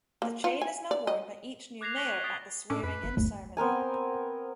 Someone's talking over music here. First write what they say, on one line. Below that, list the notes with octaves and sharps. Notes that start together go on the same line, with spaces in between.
The chain is now worn by each new mayor at the swearing-in ceremony.
A#3
F4
G#5
D5
D#5
D6 F#6 G#6 A#6 C7 F7
C#6 F#6 A#6 B6 F#7 G7
C#6
D#6 G#6 A6 B6 C7 D7
A2 C#4 D4
F2 B4
G1
G1 D#2 A3
B3 C4 A#4 G#5